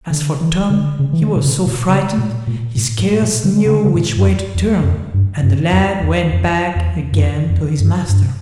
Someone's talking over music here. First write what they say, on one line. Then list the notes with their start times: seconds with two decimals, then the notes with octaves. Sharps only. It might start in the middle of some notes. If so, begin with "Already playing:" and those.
As for Tom, he was so frightened he scarce knew which way to turn, and the lad went back again to his master.
0.10 D3
0.41 E3
0.70 D3
0.99 C#3
1.13 E3
1.22 D3
1.36 A#2
1.44 C#3
1.66 A#2
1.89 C#3
2.18 A#2
2.47 A#2
2.77 A2
2.99 A2
3.22 A#2
3.44 D3
3.66 C#3
3.74 D3
3.82 C#3
3.95 A2
4.17 G2
4.25 F2
4.54 E2
4.84 F2
5.14 G2
5.43 G2
5.73 F2
6.02 E2
6.32 F2
6.76 E2
7.13 G2
7.20 F2
7.50 F2
7.80 G2
8.09 G2